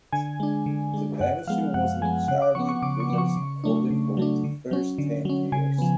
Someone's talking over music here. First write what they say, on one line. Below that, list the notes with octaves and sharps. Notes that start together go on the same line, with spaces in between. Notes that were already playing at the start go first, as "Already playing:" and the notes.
The magazine was entirely reader-supported for its first ten years.
D3 G#5
G#3 D4
D3
G#3 D4
F#2 F#5
F3 G#3 B3 F5
F#2 F#5
F3 G#3 B3 G#5
C#3 F#5
D6
F3 B3 C#6
C#6
C#3 D6
C#6
F3 B3
C#6
C#3
F#3 A3 D4
C#3
F#3 A3 D4
D3
F#3 C#4
D3
F#3 C#4
C#3 G#5
F3 B3